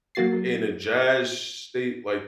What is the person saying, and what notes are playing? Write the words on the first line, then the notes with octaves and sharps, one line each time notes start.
in a jazz state? Like,
F#3 A#3 F#4 A6 C7